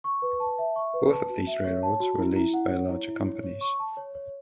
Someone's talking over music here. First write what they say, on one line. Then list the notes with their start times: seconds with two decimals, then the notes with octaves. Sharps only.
Both of these railroads were leased by larger companies.
0.04 C#6
0.22 B4
0.40 A5
0.58 E5
0.76 C#6
0.94 B4
1.12 A5
1.29 F#4
1.47 E5
1.64 C#5
1.83 A5
2.00 F#4
2.18 E4
2.36 E4
2.54 F#5
2.72 C#5
2.89 E4
3.08 E4
3.26 C#5
3.44 C#5
3.61 C#6
3.79 A5
3.97 C#5
4.15 C#5